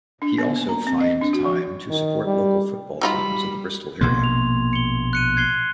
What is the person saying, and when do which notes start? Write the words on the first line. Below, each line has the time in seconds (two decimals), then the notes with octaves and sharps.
He also find time to support local football teams in the Bristol area.
0.22 D4
0.38 B3
0.56 A#3
0.69 A#5
0.87 C4
1.00 D#5
1.21 D4
1.33 F#4
1.45 F3
1.90 D#3
2.25 G3
3.01 F#3 G3 D#4 F4 B5
4.01 A#1 B2 A#3 C6 G#6
4.24 F7
4.73 C#7 G7
5.13 F#6 C#7 D#7
5.37 G#6 C7 G7